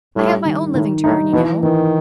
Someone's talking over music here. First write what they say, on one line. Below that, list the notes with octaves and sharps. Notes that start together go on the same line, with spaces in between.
I have my own living to earn, you know.
A2 G3
D#3
A2 D#3
A2 D#4
B2 E3
D#3 E3